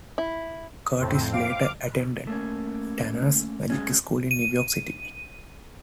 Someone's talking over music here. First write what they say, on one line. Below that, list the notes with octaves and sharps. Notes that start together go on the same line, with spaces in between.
Curtis later attended Tannen's Magic School in New York City.
E4
F2 A2 C4
F5 D6
A3 A#3 C#4
F#3 G#3 A3 C#4
D#7